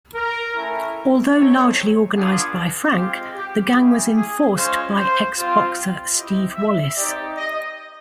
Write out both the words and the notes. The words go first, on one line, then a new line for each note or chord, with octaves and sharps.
Although largely organized by Frank, the gang was enforced by ex-boxer Steve Wallace.
A#4
A3 C#4 E4
A3 C4 D#4 C#5
B3 D4 F4 G#4
G#3 C4 F4 G4
G4
G#3 C#4 E4 G4 G#4
G#4
G#3 C#4 F4 C5
C5
G3 C4 F4
C4 E4 G4 D#5
E5
C4 D#4 G4 D5
D#5